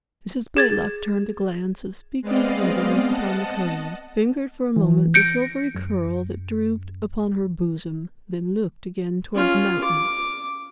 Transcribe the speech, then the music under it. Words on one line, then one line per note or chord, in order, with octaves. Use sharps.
Mrs. Blaylock turned a glance of speaking tenderness upon the Colonel, fingered for a moment the silvery curl that drooped upon her bosom, then looked again toward the mountains.
G#4 G#6 A6
G#3 B3 C4 D5 D#5 F5
D#5 F#5 A5
E3
G6 A#6 C#7 D7
F#2
C#4 F4
D6